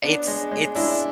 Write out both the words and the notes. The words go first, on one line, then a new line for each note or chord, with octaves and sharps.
It's it's
B3 D4
G#3
G#3
G#3 D4 E4